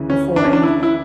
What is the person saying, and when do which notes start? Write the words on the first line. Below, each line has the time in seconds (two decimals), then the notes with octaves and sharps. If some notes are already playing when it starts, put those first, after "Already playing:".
before anything.
Already playing: D2 C#3 E3
0.10 C#4
0.36 D4
0.45 C#4
0.53 D4
0.63 E4
0.83 E4